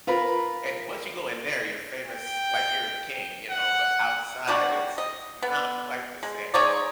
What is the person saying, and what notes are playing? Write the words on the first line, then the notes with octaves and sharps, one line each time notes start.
And once you go in there, you're famous like you're the king, you know? But outside, it's not quite the same.
F4 A#4 B4
G5
F#5
F#3 G3 D4 F#4
D#5
B3
G#3
G#3 D#4 C#5 D5